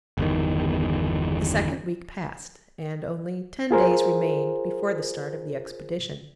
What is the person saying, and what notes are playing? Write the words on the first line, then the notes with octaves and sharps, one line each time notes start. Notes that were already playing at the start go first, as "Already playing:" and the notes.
The second week passed, and only ten days remained before the start of the expedition.
G1 E2 D#3
F4 G#4 A#4 C5